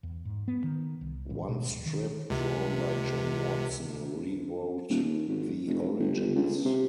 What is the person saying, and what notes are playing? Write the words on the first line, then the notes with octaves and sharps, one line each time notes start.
One strip drawn by Jim Watson rewrote the origins.
E2
G#2
B3
D#3
C2
A1
B2
D1
D#3
C#2 C3
D#1
D#2
G#1
F1
G1
C#2
C3